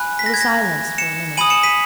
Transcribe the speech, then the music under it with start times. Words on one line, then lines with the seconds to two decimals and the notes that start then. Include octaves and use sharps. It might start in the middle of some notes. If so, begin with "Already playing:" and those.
There was silence for a minute.
Already playing: G#5 B5 F#6
0.19 B6
0.26 A#6
0.34 G#6
0.41 A#6
0.98 C#7 E7
1.37 G#5 B5 D#6 D#7 F#7
1.50 C#7 E7
1.63 B6 D#7